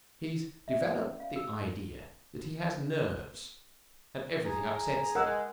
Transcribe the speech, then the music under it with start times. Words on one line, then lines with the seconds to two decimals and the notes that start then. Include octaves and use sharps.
He's developed the idea that he has nerves and everything upsets them.
0.68 E5
0.81 D5
1.00 C#4
1.20 F5
1.36 E6
4.45 G#4 A#5
5.15 G#3 A#4 F#5 E6